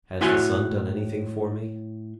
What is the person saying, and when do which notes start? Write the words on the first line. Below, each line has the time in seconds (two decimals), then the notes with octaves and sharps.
Has the sun done anything for me?
0.21 A2 E4 F#4 G#5 C6